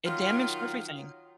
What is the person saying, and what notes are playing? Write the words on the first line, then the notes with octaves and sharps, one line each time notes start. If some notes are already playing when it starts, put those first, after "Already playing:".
it damaged everything.
D#3 F#3 F4